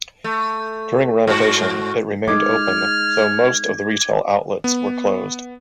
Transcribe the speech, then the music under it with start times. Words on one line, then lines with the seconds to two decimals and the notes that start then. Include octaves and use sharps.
During the renovation, it remained open though most of the retail outlets were closed.
0.24 A3
1.27 G#2 F#4
2.28 G#3 D#4 D6 F6 G#6
4.64 B3